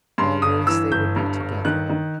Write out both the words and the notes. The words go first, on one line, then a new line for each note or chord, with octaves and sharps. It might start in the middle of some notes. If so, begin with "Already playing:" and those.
Always they would be together.
G2 C6
G1 D#6
E3 E6
G1 G6
G2
G1
D#3 F#6
D#3